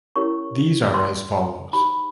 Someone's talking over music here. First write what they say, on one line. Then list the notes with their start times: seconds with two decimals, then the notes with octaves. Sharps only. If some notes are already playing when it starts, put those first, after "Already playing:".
These are as follows.
0.16 C#4 E4 G4 A#4 C#5 C#6
0.94 C6
1.73 D#4 G4 C5 B5